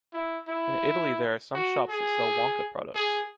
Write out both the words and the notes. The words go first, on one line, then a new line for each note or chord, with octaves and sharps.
In Italy there are some shops that sell Wonka products.
E4
E4
F#4
G#4
G#4